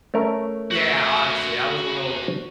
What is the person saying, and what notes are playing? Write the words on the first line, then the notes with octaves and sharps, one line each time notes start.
Yeah, honestly, I was a little
A3 C#4 A#4
F#4 E5